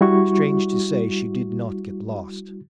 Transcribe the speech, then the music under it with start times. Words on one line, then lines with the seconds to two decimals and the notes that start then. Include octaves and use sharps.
Strange to say, she did not get lost.
0.01 G3 E4 F#4 C#6